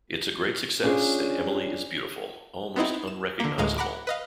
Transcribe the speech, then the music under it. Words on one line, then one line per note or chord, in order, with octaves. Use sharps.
It's a great success and Emily is beautiful, almost unrecognizable.
C#4 D4 F4 G#4 C5 C#5
B3 C4 D#4 E4
E7
D3 A#3
D2 A2 G#3 F5 A#5 F6
F#5 A#5 B5 D6
B4 D#5 F5